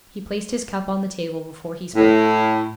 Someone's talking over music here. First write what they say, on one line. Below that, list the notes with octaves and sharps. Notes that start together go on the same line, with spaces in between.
He placed his cup on the table before he spoke.
A2